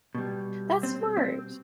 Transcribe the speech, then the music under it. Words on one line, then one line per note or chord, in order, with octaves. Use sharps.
That's smart.
B2 G3
C4
C4